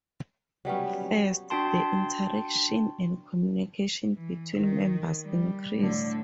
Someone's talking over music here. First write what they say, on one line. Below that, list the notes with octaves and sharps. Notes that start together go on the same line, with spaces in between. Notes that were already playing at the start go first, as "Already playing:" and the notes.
First, the interactions and communication between members increase.
F#3 G3 B3 C#4
D4 F#4 G5 A5 C6
E3
D#3
G3
A2 D3